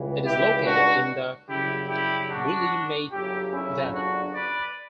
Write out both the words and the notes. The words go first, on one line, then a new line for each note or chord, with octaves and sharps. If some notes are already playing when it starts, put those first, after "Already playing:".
It is located in the Willamette Valley.
Already playing: C#2 C#3 E3 G3
E4 G4
D4 F#4
F#2 C#3 G3 E4 G4
E4 G4
D4 F#4
G1 F#2 C#3 F#3 E4 G4
C#4 E4
D4 F#4
B4 D5